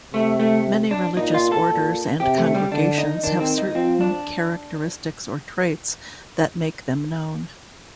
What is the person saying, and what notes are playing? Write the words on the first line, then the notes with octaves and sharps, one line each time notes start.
Many religious orders and congregations have certain characteristics or traits that make them known.
C3 A3
A3
D4
A#2 D#4
F4
A4
A#2
C3 G4
A3
G3
D3 D4
D#4
D#3 D4
C4
D#4
F3 C4
D4